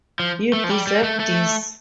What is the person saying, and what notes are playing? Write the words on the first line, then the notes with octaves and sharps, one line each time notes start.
You deserve this.
F3
A3
F3
G3
G3
A3
A3